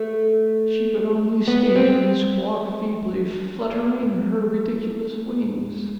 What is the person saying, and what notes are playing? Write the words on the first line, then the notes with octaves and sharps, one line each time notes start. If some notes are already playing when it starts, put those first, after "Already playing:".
She could only stand and squawk feebly, fluttering her ridiculous wings.
Already playing: A3
B3
C4